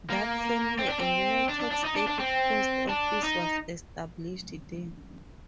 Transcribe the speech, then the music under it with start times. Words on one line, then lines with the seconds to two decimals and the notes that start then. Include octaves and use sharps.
That same year, a United States Post Office was established there.
0.10 A#3
0.79 C4
0.90 D4
1.01 C4
1.49 D4
1.61 D4
1.72 D4
1.85 D#4
1.96 D4
2.08 D4
2.20 C4
2.89 D4
3.23 D#4